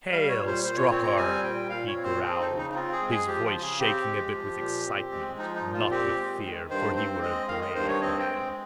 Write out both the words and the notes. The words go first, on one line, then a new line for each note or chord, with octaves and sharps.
"Hail, Stroker!" he growled, his voice shaking a bit with excitement; not with fear, for he were a brave man.
G3 F5
C#5
A#2
C5
A#2 C5
C#5
C4 C#5
A#5
G3 G#5
A#2 G5
A#2 F5
C#5
C4
C5
F3 G#4
D#4
C#3
D#4
D#4
C4 F4
G#4
G#3
G#4
F3 G4
F4
C#3
G#4
C4 G4
G#3
F3
A#2
C4
G#3
F3 D#4
D#4
A#2
F4
C4 G4
G#3
D#3
G2 C5
C4 C5
G#3 D#5
D#3 F5
D#5
G2 C5
C#5
C4 D#5
G5
G#3